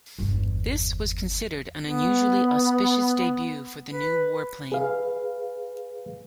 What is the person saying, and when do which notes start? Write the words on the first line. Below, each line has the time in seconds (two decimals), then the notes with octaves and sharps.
This was considered an unusually auspicious debut for the new warplane.
0.19 G1 E2
1.84 B3
3.91 B4
4.72 G#4 B4 F5